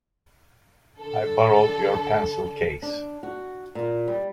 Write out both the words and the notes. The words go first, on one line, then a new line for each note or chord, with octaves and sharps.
I borrowed your pencil case.
D3 A4
D4
F#4
A#2
G3